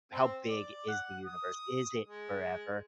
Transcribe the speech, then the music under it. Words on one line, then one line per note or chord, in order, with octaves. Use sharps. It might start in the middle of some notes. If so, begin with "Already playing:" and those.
how big is the universe? Is it forever?
C4
D5
F#5
D#6
G#3